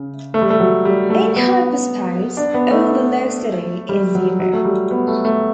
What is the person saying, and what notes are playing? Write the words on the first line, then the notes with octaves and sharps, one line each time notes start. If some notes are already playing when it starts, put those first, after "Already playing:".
In Hyperspace, all velocity is zero.
Already playing: C#3
A3
G3
A3
F#3
G3
A3
B3
D4
B3
A3
G3
F#3
F#3
A3
G3
B3
A3
A3